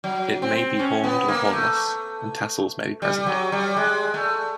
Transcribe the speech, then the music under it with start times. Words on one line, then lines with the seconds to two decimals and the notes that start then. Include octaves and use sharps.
It may be horned or hornless, and tassels may be present.
0.04 F#3
0.42 C4
0.79 C#4
1.04 B3
1.28 A#3
1.53 A3
3.02 G3
3.26 F#3
3.52 G3
3.77 G#3
4.14 A3